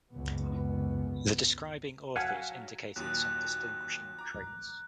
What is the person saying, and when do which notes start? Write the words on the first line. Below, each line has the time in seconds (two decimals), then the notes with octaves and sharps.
The describing authors indicated some distinguishing traits.
0.11 F#1 C#2 G#2 B3
2.16 F#3 F5 F#5 G#5 A5 B6
2.96 D#2 A#2 F#3 F#6
4.19 A#5 D6